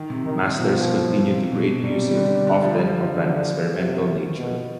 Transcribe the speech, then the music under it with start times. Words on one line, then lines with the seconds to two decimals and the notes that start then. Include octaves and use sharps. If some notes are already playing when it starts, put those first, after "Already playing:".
Masters continues to create music, often of an experimental nature.
Already playing: D#3
0.10 C3
0.25 C3 D#3
0.57 B2 F3
1.20 C3
1.52 B2
1.83 C3 G3
2.15 D3
2.47 D3
2.63 F3
2.78 G3
3.10 D3
3.73 C3
4.36 B2